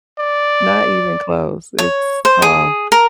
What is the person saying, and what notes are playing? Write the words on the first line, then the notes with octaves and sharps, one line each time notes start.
not even close. It's, uh
D5
C#5
C5
G#4
A#4